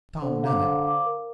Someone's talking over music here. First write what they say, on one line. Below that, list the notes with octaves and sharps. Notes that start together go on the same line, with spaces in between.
Tom done it.
D3 C5
F5 A#5 D6
C5
F5 A#5 D6
A#4